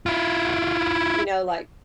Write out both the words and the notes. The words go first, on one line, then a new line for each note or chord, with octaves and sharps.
you know, like
E4 F4